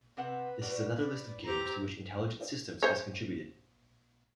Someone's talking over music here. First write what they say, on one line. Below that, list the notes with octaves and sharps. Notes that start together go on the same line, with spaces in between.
This is another list of games to which Intelligent Systems has contributed.
C3 C4 B4 F#5
G3 F#4
B4 D5
C4 G4 A#5
C5 C#5